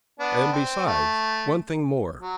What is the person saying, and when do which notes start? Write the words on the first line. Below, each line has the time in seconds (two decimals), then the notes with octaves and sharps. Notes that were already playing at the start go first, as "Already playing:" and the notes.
And besides--one thing more!
0.19 B3 D4
0.53 C4
0.86 A3
2.20 F#3